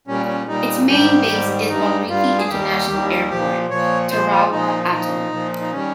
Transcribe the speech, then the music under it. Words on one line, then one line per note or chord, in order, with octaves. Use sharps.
Its main base is Bonriki International Airport, Tarawa Atoll.
A#2 G3 C#4
C#4
A#2 G3 D#4
G#2 D#3 G3 G4
G#2 D#3 G3
G2 G3 D#4
G2 G3 F4
G#4
D#2 D#3 G3 G4
D#2 D#3 G3
A#2 F3 G4
A#2 F3 C#5
A#2 F3 C5
F4
A#2 F3 D#4
A#2 F3 D#4
A#2 F3
D#4
D#3 G3 C#4